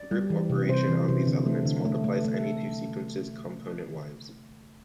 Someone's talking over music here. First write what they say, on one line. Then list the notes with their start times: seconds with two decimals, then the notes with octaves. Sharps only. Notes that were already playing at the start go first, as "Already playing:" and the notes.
The group operation on these elements multiplies any two sequences componentwise.
Already playing: D5
0.11 G3
0.30 E3
0.50 C3
0.69 C3 C5
0.88 E3
1.08 C3
1.27 D3
1.46 A3
1.65 D3
1.85 A3
2.04 A3
2.25 A3